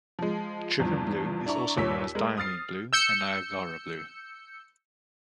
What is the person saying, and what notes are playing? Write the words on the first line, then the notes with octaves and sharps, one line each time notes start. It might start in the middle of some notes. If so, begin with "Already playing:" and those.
Trypan blue is also known as diamine blue and Niagara blue.
F3 G#3
E2 G2 F3
D4 E4 A#5 C#6
D#2 A#2 C#5 E6 B6
G#3 A#4
D#6 F6 A6 C7
E6 G6 C#7